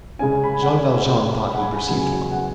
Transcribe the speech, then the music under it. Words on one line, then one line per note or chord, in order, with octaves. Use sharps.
Jean Valjean thought he perceived one.
C#3 G#3 C#4 G#5
B5
G#5
F#5
B5
F#5
G#5
B5
E2 C#3 F#3 G#5
F#5